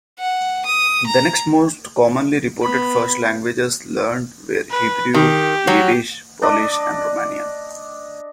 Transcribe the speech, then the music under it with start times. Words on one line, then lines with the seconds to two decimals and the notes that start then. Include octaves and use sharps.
The next most commonly reported first languages learned were Hebrew, Yiddish, Polish and Romanian.
0.19 F#5
0.66 D#6
1.07 A#5
2.61 B3 B5
4.71 B4
5.14 D#3 G4
5.67 F#3 F#4
6.42 D4 D5 D#5